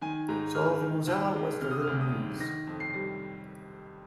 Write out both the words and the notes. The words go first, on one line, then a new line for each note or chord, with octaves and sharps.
So the "Mosella" was the "Little Meuse".
D#3 G#5
G#2 A#5
G#3 F6
D#3
D#2
G#3
C3 F6
D#6
F6
D2
D#6
D#3
D#3 A#6
F2
C7
G3